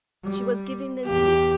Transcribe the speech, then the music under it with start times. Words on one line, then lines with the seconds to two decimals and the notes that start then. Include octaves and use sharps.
She was giving them tea.
0.23 G3
1.06 E2 G4